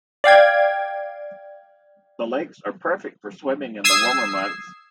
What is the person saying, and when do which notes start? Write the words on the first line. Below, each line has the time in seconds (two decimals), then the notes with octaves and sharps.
The lakes are perfect for swimming in the warmer months.
0.24 D5 F5 G5 G#6
3.84 D#6 E6 G#6 C7